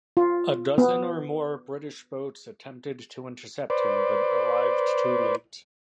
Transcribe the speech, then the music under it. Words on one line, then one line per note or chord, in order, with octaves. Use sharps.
A dozen or more British boats attempted to intercept him but arrived too late.
F4
B3
B4 C5 D5